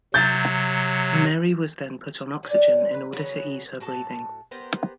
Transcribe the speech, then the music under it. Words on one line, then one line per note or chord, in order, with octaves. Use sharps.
Mary was then put on oxygen in order to ease her breathing.
C3 F#3 G6 A6
F#3 C#4 D#4 D5
B4
C#3 F#3 B3 F#4
A2 F#4 A4 A5
B3 G4 A#4 C5